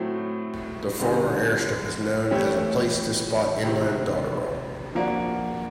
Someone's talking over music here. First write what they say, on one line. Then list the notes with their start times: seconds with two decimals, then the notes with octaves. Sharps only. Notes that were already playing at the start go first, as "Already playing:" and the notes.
The former airstrip is known as a place to spot inland dotterel.
Already playing: A2 F#3 A3 C4
1.00 D3 G3 C4 D#4
2.31 E3 A3 C#4 E4 G4
3.63 C3 D#3 G#3 C4
4.95 F3 A#3 D4 F#4